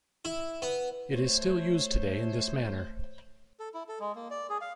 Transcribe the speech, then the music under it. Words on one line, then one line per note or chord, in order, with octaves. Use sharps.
It is still used today in this manner.
E4
B3
A3 C5 C#5
A4
E4
A4
G#3
A#3
D5
G#4
F5